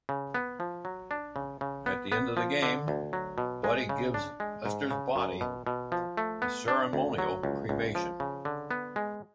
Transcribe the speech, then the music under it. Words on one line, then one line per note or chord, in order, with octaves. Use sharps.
At the end of the game, Buddy gives Lester's body a ceremonial cremation.
C#3
B3
F3
F#3
D4
C#3
C#3
B3
B3
F3
D3
D2
F#3
B2
G#3
C#3
D4
G#3
G#2
C#3
F#2
B2
B2
F3
A3
B3
D4
D2
F#3
C#2
C#2
F3
C#3
D3
B3
G#3